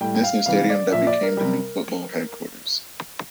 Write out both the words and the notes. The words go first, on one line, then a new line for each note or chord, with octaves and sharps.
This new stadium that became the new football headquarters.
A2 G3 G5
G5
F5
C3 E3 G3 F5
D5
A#2 F3 E5
D5
A#4
C3 G3